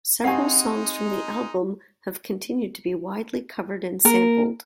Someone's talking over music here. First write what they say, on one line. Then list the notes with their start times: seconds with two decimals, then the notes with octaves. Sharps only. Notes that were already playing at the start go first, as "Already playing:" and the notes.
Several songs from the album have continued to be widely covered and sampled.
0.24 G#3 C4 D#4 G4 F5 F#5 G#5
4.05 A#3 A#4